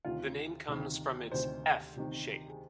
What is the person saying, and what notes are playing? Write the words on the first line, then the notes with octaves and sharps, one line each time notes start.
The name comes from its "F" shape.
D2 C3 D#3 F4
D2 C3 D#3
D2 C3 D#3 C5
D2 C3 D#3
G#4